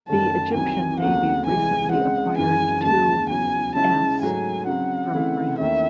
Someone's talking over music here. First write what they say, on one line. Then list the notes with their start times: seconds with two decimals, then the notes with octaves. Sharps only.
The Egyptian Navy recently acquired two s from France.
0.09 F#2 D#3 A3 C#4 A5
0.54 C2 C3 D#3 F#3 C4 G#5
1.00 D#2 C#3 F#3 A3 C4 F#5
1.46 C2 C3 E3 G#3 G#5
1.92 C#3 G#3 C4 F#5
2.37 F#2 E3 G#3 G#5
2.84 D#2 C#3 G#3 A5
3.29 E2 C#3 F#3 G#5
3.75 C#3 G#3 C#4 E4 A5
4.21 G#2 F#3 A3 G#5
4.67 C#3 F#3 C4 F#5
5.13 C#3 E3 A3 C4 E4
5.59 D#2 D#3 A3 C#4 E4 E5